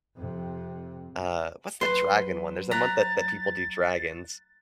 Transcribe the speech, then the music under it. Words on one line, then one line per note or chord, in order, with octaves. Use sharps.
uh what's the dragon one? There's a month that that people do dragons.
F2 C3
F#3 B4 C6
A#5 F#6 A6 B6